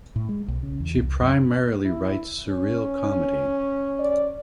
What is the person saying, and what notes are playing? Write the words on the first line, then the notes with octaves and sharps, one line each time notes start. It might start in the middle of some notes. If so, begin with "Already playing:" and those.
She primarily writes surreal comedy.
A2
G#3
B1
C#3
E2
C2
F#2
E4
C#4
D5